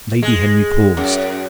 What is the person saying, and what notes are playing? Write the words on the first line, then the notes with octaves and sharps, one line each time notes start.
Lady Henry paused.
G#3
F#2